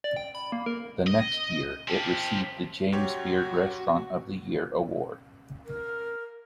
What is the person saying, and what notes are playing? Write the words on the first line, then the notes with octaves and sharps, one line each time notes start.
The next year it received the James Beard Restaurant of the Year Award.
D5
G5
B5
A#3
A#4
D#5
F3 G4
F#2 F#4 G4 C#5
A#4